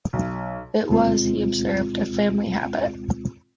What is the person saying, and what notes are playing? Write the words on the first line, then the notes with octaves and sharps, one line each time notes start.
It was, he observed, a family habit.
B1
D2 B2 G#3 C4 F4